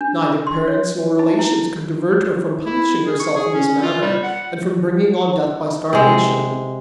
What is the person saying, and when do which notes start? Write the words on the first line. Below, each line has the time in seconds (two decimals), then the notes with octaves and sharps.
Neither parents nor relations could divert her from punishing herself in this manner and from bringing on death by starvation.
0.01 D4
0.47 C6
0.68 C#5
1.19 D#4
1.39 E4
2.66 E4
3.06 G#4
3.20 C#6
3.36 G#4
3.54 C#4
3.82 F4
4.02 G3
4.23 F#5
5.93 C3 G#3